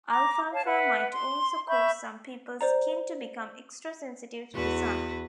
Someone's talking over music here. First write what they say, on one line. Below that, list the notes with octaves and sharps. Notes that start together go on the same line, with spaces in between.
Alfalfa might also cause some people's skin to become extra sensitive to the sun.
A#5 D6
C#5 F5 A5
B4 E5 F#5
C6
E5 B5 C#6 G6
C5 D5 A#5
E2 F#4 B4